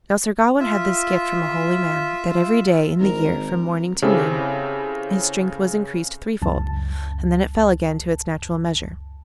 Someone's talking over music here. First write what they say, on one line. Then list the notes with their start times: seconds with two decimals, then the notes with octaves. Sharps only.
Now Sir Gawain had this gift from a holy man, that every day in the year, from morning to noon, his strength was increased threefold, and then it fell again to its natural measure.
0.60 F4 E5
3.00 G#1 A#4
4.02 C#3 C4 E4 G4 A4
6.42 C#2 F#2 A5